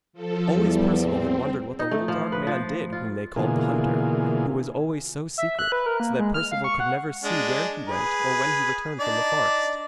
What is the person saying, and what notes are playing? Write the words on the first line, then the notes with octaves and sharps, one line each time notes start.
Always Perceval had wondered what the little dark man did whom they called the hunter, who was always so secret, so that Perceval could never see where he went or when he returned from the forest.
F3 A4
E2 G3
C4
D#4
A3
F3
B4
F3
F4
B2 D3 E3 A#3 F4 G#4
E5
F#6
B4
A#4
A#3
G#3
F6
F5
C#6
F#5
G#3 D4
G#4 B4
D4 D#4 D5